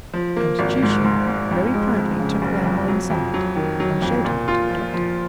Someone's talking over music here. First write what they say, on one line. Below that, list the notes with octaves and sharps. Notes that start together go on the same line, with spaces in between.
And Chee-Chee very proudly took the animal inside and showed him to the Doctor.
F3
A#3
G#1
G#2
G#2
G#2
F2
G#3
F2
C#3
F#1
F2
F#3
F2
F#3
D#3
F#3
F2
A#2
F4
F3
F3